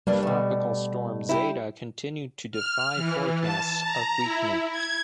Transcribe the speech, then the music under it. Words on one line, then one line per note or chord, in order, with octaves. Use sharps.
Tropical Storm Zeta continued to defy forecasts of weakening.
G3 A#3 D4 B4
B2 A3
E4 G4
F6
E3
A5
A#5
E4
G#6